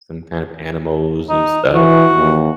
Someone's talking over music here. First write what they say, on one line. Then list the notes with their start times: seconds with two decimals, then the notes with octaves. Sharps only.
some kind of animals and stuff and
1.29 D#4
1.74 E3 F#4
2.16 D#2